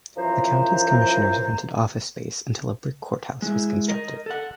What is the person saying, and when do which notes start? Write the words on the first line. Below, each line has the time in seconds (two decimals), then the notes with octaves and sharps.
The county's commissioners rented office space until a brick courthouse was constructed.
0.17 F#2 E3 F3 C5 A#5
3.42 G#3 E4
3.88 A#4 D#5
4.26 A4 F#5